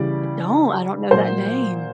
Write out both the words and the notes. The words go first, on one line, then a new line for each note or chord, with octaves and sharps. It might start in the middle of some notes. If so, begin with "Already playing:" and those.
I don't, I don't know that name.
Already playing: C#3 E3 G3 D5
A#2 F#3 C5